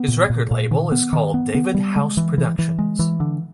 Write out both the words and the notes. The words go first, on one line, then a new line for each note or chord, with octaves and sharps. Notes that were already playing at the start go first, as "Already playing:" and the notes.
His record label is called David House Productions.
Already playing: B3
A#2
A#2
A#2
D#3
B3
D#3
B3
B3
G3
G#3
E3
E3
E3
G#3
E3
D3